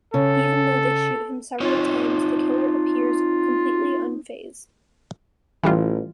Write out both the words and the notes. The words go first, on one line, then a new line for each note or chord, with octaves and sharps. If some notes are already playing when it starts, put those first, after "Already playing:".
Even though they shoot him several times, the killer appears completely unfazed.
C#3 A4
C4 D#4 F4 C#5
A1 E3 G3 F4